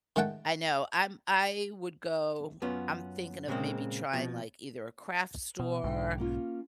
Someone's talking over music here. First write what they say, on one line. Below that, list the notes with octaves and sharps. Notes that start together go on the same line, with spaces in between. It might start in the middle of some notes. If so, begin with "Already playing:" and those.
I know, I'm I would go I'm thinking of maybe trying, like, either a craft store
D#3 G#3 A3 F#5 G5 A5
F#2 B3 C#4 F4
A#2 C#3 G3 G#3 A#3 C4
B2 F3
B2
B1 G#2 D3 G5
A#3 C#4 F4